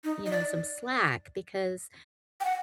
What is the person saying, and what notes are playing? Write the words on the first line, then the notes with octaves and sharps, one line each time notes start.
you know, some slack, because,
D#4
D#5
D5
G5
F#5